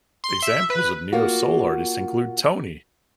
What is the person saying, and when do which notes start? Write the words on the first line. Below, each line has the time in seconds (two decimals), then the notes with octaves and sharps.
Examples of neo soul artists include Tony!
0.24 C6
0.43 E5
0.70 B4
1.12 A#3 F4 F#4